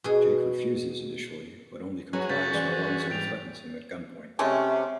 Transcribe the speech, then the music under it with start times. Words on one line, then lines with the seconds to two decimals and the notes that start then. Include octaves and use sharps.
Jake refuses initially, but only complies when Alonzo threatens him at gunpoint.
0.04 B2 G#4
2.13 F#3 C#4 F#4 G#4 B4
2.29 C#3 G6 A6 B6
2.53 E3 C5 D5
3.10 G#2 G3 G6 D7 F7
4.39 C3 G#3 A3 C#4